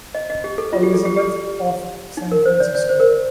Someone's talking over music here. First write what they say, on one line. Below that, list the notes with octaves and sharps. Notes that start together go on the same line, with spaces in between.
Elizabeth of San Francisco.
D#5
D#5
G4
A4
F4
G4
A4
G4
G4
D#4
A#4
C5
D5
D5
C5
A#4